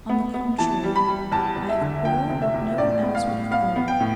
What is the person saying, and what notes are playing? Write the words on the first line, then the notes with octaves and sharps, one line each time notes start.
On the contrary, I have borne what no one else would have borne.
B3
B3
E3 A5
G3
B5
G3
E2 A5
E2
E5
D3
F3 G5
C3
E5
E2
A2 D5
B3
F5
A2
B3 F5
B3
G5
A2